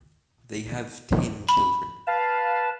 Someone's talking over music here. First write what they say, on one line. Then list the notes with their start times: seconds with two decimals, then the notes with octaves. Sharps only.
They have ten children.
1.49 B5
2.07 B4 F5 A5